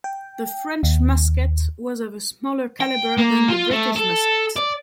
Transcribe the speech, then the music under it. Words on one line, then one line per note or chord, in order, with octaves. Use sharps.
The French musket was of a smaller caliber than the British musket.
G5
D#2
G5
A#3
F4
A3
A4
D5